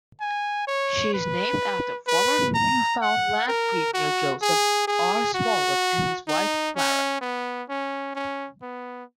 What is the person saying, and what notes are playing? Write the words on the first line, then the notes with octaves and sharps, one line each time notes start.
She is named after former Newfoundland premier Joseph R. Smallwood and his wife Clara.
G#5
C#5
B4
B4
A#5
F#5
A#4
F#4
G#4
G#4
F#4
D#4
C#4
B3
C#4
C#4
B3